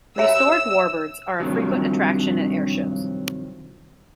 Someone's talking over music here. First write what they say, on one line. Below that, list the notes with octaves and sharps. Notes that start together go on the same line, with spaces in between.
Restored warbirds are a frequent attraction at airshows.
C#5 E5 E6
G2 C3 D#3 F3 F#3